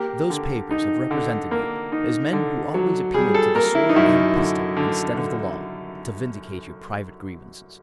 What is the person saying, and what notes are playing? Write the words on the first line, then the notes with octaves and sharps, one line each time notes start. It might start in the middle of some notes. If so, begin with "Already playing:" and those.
Those papers have represented you as men who always appeal to the sword and pistol, instead of the law, to vindicate your private grievances.
Already playing: A#3 G4
D3
D#4
D3
A#3
D#4
D3
F#3
G3 G#4
A4
A#3 A#4
E4
D#4
F#2 E4
D3
D3
D3